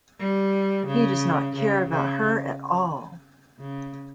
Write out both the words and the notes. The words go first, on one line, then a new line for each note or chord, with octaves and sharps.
He does not care about her at all.
G3
C#3
C#3
C#3
C#3